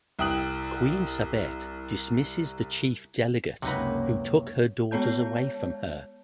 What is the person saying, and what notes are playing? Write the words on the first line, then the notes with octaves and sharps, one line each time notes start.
Queen Sabet dismisses the chief delegate who took her daughters away from her.
C2 E4 G5 D#6 F#6 F#7
C#2 F#2 C3 F#3 A#3 D#4 B4
G#3 B3 C#5 A5 G6